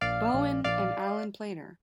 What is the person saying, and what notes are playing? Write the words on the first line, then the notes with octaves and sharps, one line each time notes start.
Bowen, and Alan Plater.
A#1 D5 F5
A#1
A#1 D5 F5